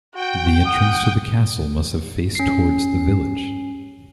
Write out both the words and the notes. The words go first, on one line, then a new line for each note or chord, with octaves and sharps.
The entrance to the castle must have faced towards the village.
F#4 G5
F#5 D#6
C#4 C7